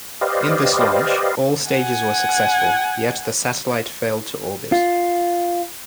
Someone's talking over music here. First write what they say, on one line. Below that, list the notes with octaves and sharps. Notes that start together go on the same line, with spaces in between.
In this launch, all stages were successful, yet the satellite failed to orbit.
G4 B4 C5 D5 D#5 F5
F#5 G#5
F4